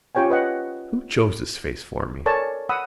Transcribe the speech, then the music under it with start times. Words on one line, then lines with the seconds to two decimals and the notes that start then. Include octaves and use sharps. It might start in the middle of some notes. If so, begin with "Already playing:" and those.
Who chose this face for me?
0.15 C#4 F4 G4 C#5 G5 G#5
0.30 B4 D#5 F#5
2.26 A4 A#4 C#5 D5 G#5 A5
2.69 F#5 B5 D#6 E6